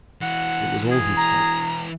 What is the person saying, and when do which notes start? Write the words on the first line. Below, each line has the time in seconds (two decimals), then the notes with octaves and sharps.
It was all his fault.
0.22 E3 F#4 F#5
0.92 G#4
1.16 A#5